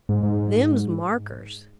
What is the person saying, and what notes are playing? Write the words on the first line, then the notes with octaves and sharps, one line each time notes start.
Them's markers.
G#2
G#2